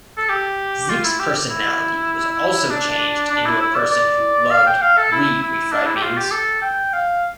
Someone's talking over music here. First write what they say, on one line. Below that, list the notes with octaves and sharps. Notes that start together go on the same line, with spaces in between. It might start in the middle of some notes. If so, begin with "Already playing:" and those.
Zeke's personality was also changed into a person who loved 're-refried beans'.
A4
G4
F4
E4
G4
E4
D4
D4
E4
E4
D5
D5
F5
G5
F5
A4
E4
E4
D4
E4
G4
F4
G4
A4
G5
F5